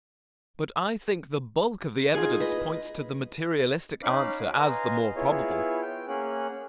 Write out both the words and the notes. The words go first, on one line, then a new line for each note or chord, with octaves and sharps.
But I think the bulk of the evidence points to the materialistic answer as the more probable.
D#4 F4 G#4
B4 D#5
C#4 D#4 F5 B5 D6 F#6
F#4
B4 D#5 F5 G#5 A#5 C6
B3 E4 F4 G#4 C#5
G5
A#3 C#4 G#4 F#5 F#6